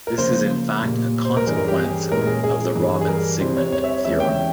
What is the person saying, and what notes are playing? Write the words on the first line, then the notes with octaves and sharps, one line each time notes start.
This is in fact a consequence of the Robbins-Siegmund theorem.
A#4
C#3 F3 A#3 C5
A#2 G3 A#3
C5
A#4
G2 E3 G3 C#4 G#4
A#4
G4
G#4
A#2 G#3 C#4 E4 A#4
G#4
G#4
G2 E3 G3
G#4
A#4
C3 G3 C4 E4 C5
C#5
C#5
E5
C#5
E2 E3 G#3 C#4 E4 E5
G5